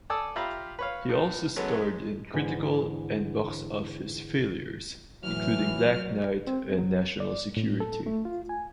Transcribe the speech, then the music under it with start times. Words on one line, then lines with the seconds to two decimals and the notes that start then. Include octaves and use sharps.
He also starred in critical- and box-office failures, including "Black Knight" and "National Security".
0.10 A4 D5 G#5 A5 D#6 E6
0.36 F4 G4 E5 F5 A#5 B5
0.79 B4 C#5 F5
1.09 A2
1.56 F#3 G#3 A3 B3 C#4
1.77 G#3
2.33 G#2 D3 E3 G#4
5.23 A2 E3 F#3 F6
6.47 C4
6.79 F#3
7.20 D5
7.57 A2
7.80 A4
8.06 A3
8.25 F4
8.49 G#5